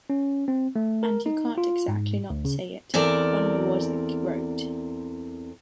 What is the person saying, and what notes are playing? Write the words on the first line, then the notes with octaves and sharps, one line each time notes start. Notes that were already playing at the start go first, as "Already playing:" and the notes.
And you can't exactly not say it, Poniewozik wrote.
C#4
C4
A3
A#4
D#4
F4
G#2
D2
C#3
E2 C4 A4 A#4 D5